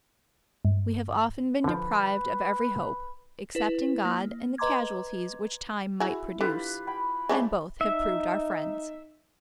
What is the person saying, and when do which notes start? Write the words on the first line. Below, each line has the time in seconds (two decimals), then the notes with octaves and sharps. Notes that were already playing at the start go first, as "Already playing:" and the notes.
We have often been deprived of every hope, except in God and the casualties which time might produce, and both have proved our friends.
0.65 G2
1.64 D3 F3 B4
3.55 E4 B4
4.05 A#3
4.58 B4 D#5 A#5 C6 D6 G#6
6.00 E4 F#4 G#4
6.41 D3 F4 G4 B4
6.87 G5 G#5 B5
7.29 F3 G#3 A3 C#4 D4
7.81 D#4 E5